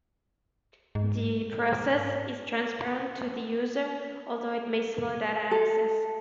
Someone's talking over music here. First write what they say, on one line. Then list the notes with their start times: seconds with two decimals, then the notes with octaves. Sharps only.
The process is transparent to the user, although it may slow data access.
0.95 G#2
5.51 A4